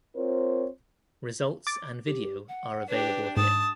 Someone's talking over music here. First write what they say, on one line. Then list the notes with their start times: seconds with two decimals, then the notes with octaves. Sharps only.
Results and video are available here.
0.16 C4 F4 A#4 C5 C#5
1.67 D6 A6
2.06 G4
2.48 F#5
2.89 D4 G4 B4
3.37 G#2 A5 D#6